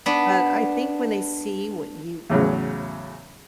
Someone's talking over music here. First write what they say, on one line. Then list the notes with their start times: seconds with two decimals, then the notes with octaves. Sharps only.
But I think when they see what you we
0.06 B3 D4
2.30 E2 A2 C#3 F#3